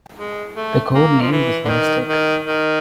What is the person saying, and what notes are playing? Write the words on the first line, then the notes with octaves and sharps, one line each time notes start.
The code name was Mystic.
G#3
A3
A#3
F3
E3
D3
D#3
D#3
D#3